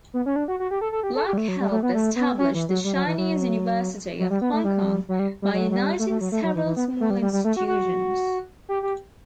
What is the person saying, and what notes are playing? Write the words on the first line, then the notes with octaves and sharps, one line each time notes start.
Black helped establish the Chinese University of Hong Kong by uniting several smaller institutions.
B3
C#4
D4
F#4
F#4
G4
A4
A4
G4
A4
G4
G3
A3
F#3
G3
A3
B3
A3
B3
C#4
E3
F#3
G3
F#3
E3
F#3
F#3
G3
B3
A3
G3
F#3
G3
G3
F#3
F#3
G3
A3
A3
F#3
A3
F#3
E3
E3
B3
A3
G3
G3
G3
A3
F#4
F#4
G4
G4